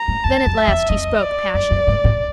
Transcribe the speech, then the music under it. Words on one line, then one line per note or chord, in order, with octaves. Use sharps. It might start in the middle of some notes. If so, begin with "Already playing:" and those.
Then at last he spoke passionately.
Already playing: A#5
G#2
F2 A5
F2
E5
E2
F2 D#5
D5
F#2 D5
F#2
G#2
A2